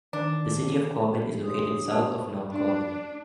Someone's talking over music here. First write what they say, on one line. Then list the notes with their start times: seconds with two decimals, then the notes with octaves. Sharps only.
The city of Corbin is located south of North Corbin.
0.13 D#3 D4
1.43 G4 C#5 C6 D#6
1.74 D4 G4
1.88 C5 D5 A5
2.52 D4